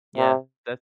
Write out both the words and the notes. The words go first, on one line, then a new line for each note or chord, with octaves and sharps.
Yeah. That's
C3